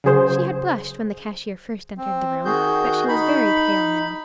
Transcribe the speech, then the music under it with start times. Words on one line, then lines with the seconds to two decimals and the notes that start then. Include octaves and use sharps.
She had blushed when the cashier first entered the room; but she was very pale now.
0.04 C#3 F#3 G#4 C5
1.97 C4
2.45 D#3 F#4 G#4 G6
3.08 D#4 B5